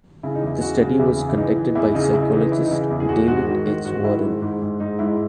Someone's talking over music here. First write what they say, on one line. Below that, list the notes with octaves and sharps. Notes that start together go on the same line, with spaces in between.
The study was conducted by psychologist David H. Warren.
C#3 E4
D#4
E2 E4
C#3 F#4
C#3
E2 E4
C#3
E4
E3 D#4
E3
E2 E4
C#3 D#4
C#3 E4
E3 D#4
E3 E4
D#4
C#3 E4
E2 E4
G#4
E2 F#4
G#2 F#4
D#3 F#4
D#3 F#4
G#2 F#4
D#3 E4
G#2
G#2
G#2
G#2 D#4
G#2 E4